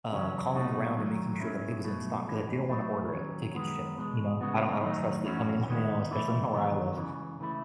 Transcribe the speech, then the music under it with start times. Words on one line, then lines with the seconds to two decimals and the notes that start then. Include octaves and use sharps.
uh, calling around and making sure that it was in stock- 'cause I didn't wanna order it to get shipped, you know? I don't I don't trust it coming in the mail, especially not where I live-
0.12 E2 C#3 F#3 C#4
0.55 B1 B2 A3 D#4 F#4
0.98 F#2 D#3 F#3 A3
1.40 G#2 F#3 C#4 E4
1.83 B1 B2 F#3 A3
2.26 B1 A2 E3 G#3 C#4
2.69 A2 F#3 A3 E4
3.12 D#2 D#3 F#3 C#4
3.55 F#2 D#3 G#3 B3
3.97 E2 B2 G#3
4.41 C#3 G#3 B3 F#4
4.83 F#2 D#3 F#3 A3 D#4
5.25 F#2 E3 A3 C#4 F#4
5.68 D#2 D#3 G#3 B3
6.11 B1 A2 E3 A3 E4
6.53 E2 D#3 F#3 B3
6.97 C#2 C#3 E3
7.39 C#2 C#3 E3 A3 E4